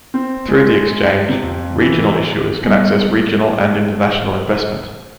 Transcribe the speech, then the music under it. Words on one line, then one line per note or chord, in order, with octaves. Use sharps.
Through the exchange, regional issuers can access regional and international investment.
C4
G#3
C3
F2
E3
G3 B3